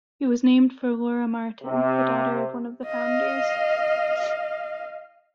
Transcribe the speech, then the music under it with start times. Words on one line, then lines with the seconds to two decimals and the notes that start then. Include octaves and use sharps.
It was named for Laura Martin, the daughter of one of the founders.
1.64 C3
2.86 D#5 F5